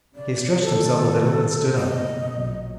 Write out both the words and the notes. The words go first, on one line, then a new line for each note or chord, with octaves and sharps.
He stretched himself a little and stood up.
C#3 D5
D#3 A4
F#1 B2 D#5
A#1 F#3